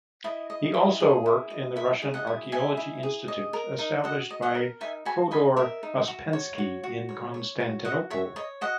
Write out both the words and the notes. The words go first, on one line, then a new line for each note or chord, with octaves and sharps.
He also worked in the Russian Archaeology Institute, established by Fyodor Uspensky in Constantinople.
E4 D#5
D#5
E4
G#4
E4
D#5
E4 E5
G#4
D#5 F#5
E4
D#5 E5 G#5
E4
G#4
D#5
A#4
D#4
F#4 D#5 F#5
D#5
D#5 F#5
A#4
D#4 E5 G#5
F#4 G#5 B5
D#5 G#5 B5
A#4 E5
D#4
F#4
C#5
F#4
F#4
C#5
C#5
F#4
F#4 D#5 F#5
C#5 E5
C#5 D#5
F#4 D#5 F#5